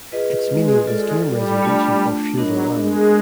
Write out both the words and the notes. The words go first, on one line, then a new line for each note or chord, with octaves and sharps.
Its meaning is game reservation or feudal land.
F4 G#4 B4 D#5
G#3
G#3 F4 A4 D5
G3
A3 D4 F4
F#3 B3 D4 F#4 A#4 D#5
G#3